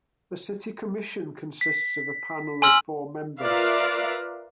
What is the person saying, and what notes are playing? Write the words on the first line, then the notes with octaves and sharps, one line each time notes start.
The city commission consists of a panel of four members.
B6
G#5 C6 E6 F6 F#7
F4 A#4 B4 D5 E5 F5